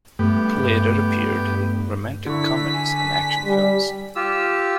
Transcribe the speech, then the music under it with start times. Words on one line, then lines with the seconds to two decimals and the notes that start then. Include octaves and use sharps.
He later appeared in romantic comedies and action films.
0.19 G2 A3 B3 G4
2.26 D3 E4 C#6 B6
2.73 G#5
3.45 G3
4.16 F4 G4 E6